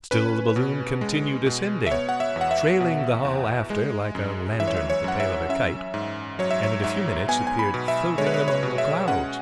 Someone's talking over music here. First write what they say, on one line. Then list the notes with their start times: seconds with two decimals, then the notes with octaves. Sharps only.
Still the balloon continued ascending, trailing the hull after like a lantern at the tail of a kite, and in a few minutes appeared floating among the clouds.
0.11 C#4 B4
0.56 B2
1.01 G#3
1.46 B2
1.87 E5
1.91 B3 C#5
2.09 F#5
2.20 E5
2.36 E2
2.41 F#5
2.51 E5
2.80 B2
3.25 E2
3.70 G#3
4.15 F#2
4.60 E3 E5
4.67 C#5
4.77 E5
4.90 C#5
5.04 F#2 F#5
5.20 E5
5.49 C#4 E5
5.94 G#2
6.39 F#3 C#5
6.51 E5
6.63 C#5
6.84 G#2 E5
7.28 B3 G#5
7.47 G#5
7.59 B5
7.74 B2
7.88 E5
8.18 G#3 C#5
8.27 B4
8.34 C#5
8.48 C#5
8.63 B2
8.78 E5
9.08 C#4 F#5